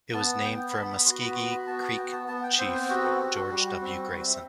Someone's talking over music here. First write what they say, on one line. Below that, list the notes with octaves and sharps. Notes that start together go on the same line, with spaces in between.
It was named for a Muscogee Creek chief, George W. Grayson.
B3 A5
B3 G5
B5
B3 A5
B5
F#4 C6
B5
F#4 C6
B5
B3 A5
A5
B3 G5
A5
B3 A5
G5
C4 C5
C5
F#4 G4
A4
F#4 G4
A4
G3 G4
G4
C4 F#4
F#4
C4 F#4
E5